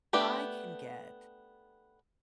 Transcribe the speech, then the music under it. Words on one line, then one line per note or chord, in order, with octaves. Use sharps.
I can get
A3 B3 D4 G4 B4